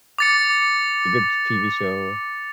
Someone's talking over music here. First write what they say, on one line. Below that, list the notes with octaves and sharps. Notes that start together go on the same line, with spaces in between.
a good TV show,
D6 A6 C#7